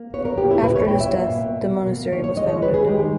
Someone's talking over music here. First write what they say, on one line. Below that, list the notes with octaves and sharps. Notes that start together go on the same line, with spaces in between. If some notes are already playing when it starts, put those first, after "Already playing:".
After his death, the monastery was founded.
Already playing: A#3
B3 C#5
A#4
A#2 G4
E4
A#2 B4
C#5
A#2 G5
E5
A#3
B2
B2
A#3
D#3 C#5
C#5
G#3 D#5
C#5
D#3 B4
G#4
G#3 G4
D#4